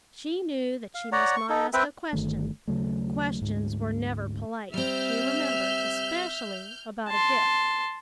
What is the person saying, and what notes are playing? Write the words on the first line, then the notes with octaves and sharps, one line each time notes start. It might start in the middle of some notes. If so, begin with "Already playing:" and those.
She knew that she must not ask a question; questions were never polite, she remembered, especially about a gift.
F5
C#5 D5 F#5 A#5
C#6
D#4 A4
C4 B4 E5 G5
G1 D#3 A3
D#2 C#3 F#3 A3
D2 G#2
G3 C4 E5 F6 G6
A5 C6